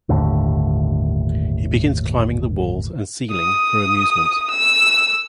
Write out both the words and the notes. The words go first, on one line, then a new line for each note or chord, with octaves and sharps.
He begins climbing the walls and ceiling for amusement.
G1 D#2 A2 D3
D#6
E6